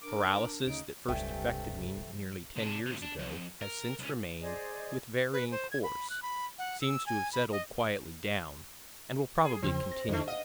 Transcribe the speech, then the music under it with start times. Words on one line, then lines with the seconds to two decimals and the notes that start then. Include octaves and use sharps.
The paralysis that first affected me nearly ten years ago, has since remain'd, with varying course--seems to have settled quietly down, and will probably continue.
0.01 D4 A#4 D6
0.67 D2 C#3 D#4 D7
1.08 E1 C#2 G2 C3 A3 G5 G#5
1.97 F3 F#3
2.57 C3 D4
2.86 D2 C3
3.02 D4
3.19 F2
3.61 A#4
3.99 C2 C#4
4.40 G#4 C5 D5 D#5
5.33 B4
5.51 C5
5.71 G#6
5.83 B5
6.10 F#6
6.22 B5
6.58 F#5
6.81 E6
7.06 G#5
7.33 B5
7.52 D#5
9.44 G#4
9.62 E2 C#3 F3 C4
9.92 A#6
10.08 F2 D3 D#3 A3 E4
10.28 D#5 F5 F#5